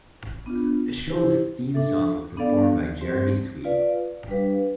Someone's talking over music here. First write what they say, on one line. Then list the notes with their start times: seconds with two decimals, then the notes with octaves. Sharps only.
The show's theme song was performed by Jeremy Sweet.
0.46 B3 D4 F4
1.09 E4 G4 C5
1.74 D4 A4 E5
2.37 B3 D4 A4 D5 F5
3.01 C4 G4 C5
3.64 F4 B4 D5 F5
4.28 G3 D4 G4 B4 F5